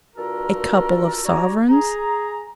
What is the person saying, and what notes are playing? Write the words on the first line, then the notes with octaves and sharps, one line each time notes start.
'A couple of sovereigns.'
G2 F4 F#4 A4 A#4
D4 F#4 G4 C#5 A#5
G#4 A#5